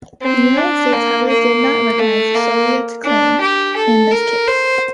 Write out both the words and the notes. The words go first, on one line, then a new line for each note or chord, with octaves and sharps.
The United States however did not recognize the Soviet claim in this case.
C4
D4
A#3
A#3
A3
A#3
D4
G4
A4
A#4
C5